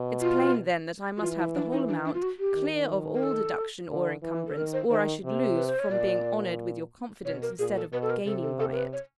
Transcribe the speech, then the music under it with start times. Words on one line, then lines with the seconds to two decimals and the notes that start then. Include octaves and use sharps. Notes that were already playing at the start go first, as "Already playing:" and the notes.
It's plain, then, that I must have the whole amount, clear of all deduction or incumbrance, or I should lose from being honoured with your confidence, instead of gaining by it.
Already playing: B2
0.21 F4
1.17 F#4
1.21 E3 F4
1.38 E4
1.55 D4
1.72 D#4
1.88 D4
2.05 D4
2.14 F4
2.22 F#4
2.39 G4
2.55 D#3
3.15 A#4
3.23 A4
3.90 D3
4.23 E3
4.47 A4
4.56 D#3 A#4
4.73 C5
4.90 D#3 C5
5.24 C3
5.55 B4
5.67 C5
5.79 C#5
5.90 A#2 D5
7.25 B2 C#5
7.42 A#4
7.59 A#2 G#4
7.76 A4
7.92 B2 B4
8.02 A4
8.10 A#4
8.26 C3 A4
8.43 A4
8.60 A4
8.72 A#4
8.76 B4
8.93 C#5